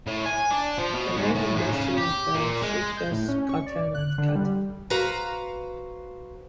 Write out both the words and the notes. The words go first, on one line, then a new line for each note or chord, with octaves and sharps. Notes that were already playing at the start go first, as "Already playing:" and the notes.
The main industries were citrus, cotton, and cattle.
A2
G#5
D4
F3
B2
G#2
A2
G#2
C#3
G4
A#2
G#3
G6
A2
C#4
C#6
D5
F#6
D3
G3
F#4 B4 C5 F5 A#5